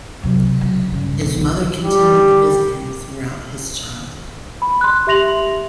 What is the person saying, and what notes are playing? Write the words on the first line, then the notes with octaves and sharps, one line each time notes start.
His mother continued to visit him throughout his childhood.
C3 F#3
C#3 F#3
G2 C#3
B1
G3 G4
B5
C6 F#6
G4 E5 C6 A#6 F7 F#7